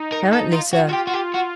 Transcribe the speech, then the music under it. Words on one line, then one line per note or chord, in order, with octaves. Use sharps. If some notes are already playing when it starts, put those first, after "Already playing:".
"Apparently, sir."
Already playing: D#4
A#4
A4
F4
F4 F#4
F#4
G4
F#4
G4
F#4